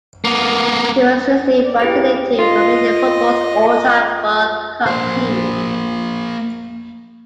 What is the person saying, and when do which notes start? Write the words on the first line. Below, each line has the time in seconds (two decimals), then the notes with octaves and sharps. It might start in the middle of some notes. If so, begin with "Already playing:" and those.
He was recently voted into Romanian footballs all-time World Cup team.
0.25 A#3 B3
1.64 A#3 D5
1.80 E4 G4 G#4 B4
2.39 F4 D#5
4.86 A#3 C5